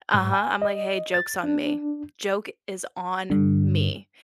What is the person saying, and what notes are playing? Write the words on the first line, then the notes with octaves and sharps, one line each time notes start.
Uh-huh, I'm like, "Hey, joke's on me, joke is on me"
G#2
G#5
D#5
A6
D4
G2 D3